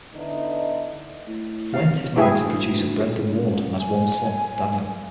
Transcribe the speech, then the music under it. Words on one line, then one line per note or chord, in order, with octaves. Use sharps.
Wendt is married to producer Brendan Ward and has one son, Daniel.
D3 B3 D#4 E4
A2
F5
D2 G2 E3 E4 G#4 G5 G#5
C#2
G#5